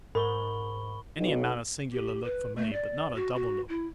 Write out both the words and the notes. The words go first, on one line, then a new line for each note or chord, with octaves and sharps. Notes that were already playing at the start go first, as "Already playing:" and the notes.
Any amount of singular look for me, but not a double look!
G#2 A#4 B5 C#6 G7
B1
G4
B4
A3
D5
F#4
F#4
E4